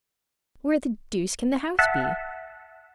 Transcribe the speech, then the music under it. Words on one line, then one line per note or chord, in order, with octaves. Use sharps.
Where the deuce can the house be?
E5 F#5 A5